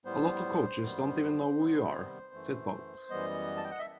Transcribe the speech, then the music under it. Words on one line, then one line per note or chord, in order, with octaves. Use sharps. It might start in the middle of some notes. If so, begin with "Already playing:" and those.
A lot of coaches don't even know who you are, said Fouts.
A2 G3 B3 C5
F#2 D#3 G3 B3
C3 D#3 G3 B3
F#2 E3 A3
F#2 E3 G3 B3 D#5
A5
G5
F#5
E5